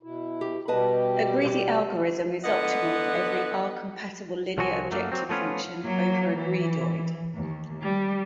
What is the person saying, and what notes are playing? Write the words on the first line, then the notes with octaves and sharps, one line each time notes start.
A greedy algorithm is optimal for every R-compatible linear objective function over a greedoid.
B2 E4
G4
B2 G3 G4 B4 D#5 A5
D5
D3 B3 D#5 F#5
C2 F3 F#3 F#4 G#5
F#2 F#3 A3 A#3
F#3 C4
F3 A3 B3 C#4 F4
F#3 A#3
E3
D#2
G3